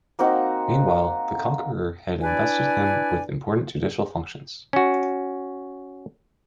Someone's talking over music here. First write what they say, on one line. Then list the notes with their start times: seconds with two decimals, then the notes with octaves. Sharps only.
Meanwhile, the Conqueror had invested him with important judicial functions.
0.19 A#3 C4 D#4 F#4
2.23 D4 E4 B4 D5 G#5
4.73 C#4 F#4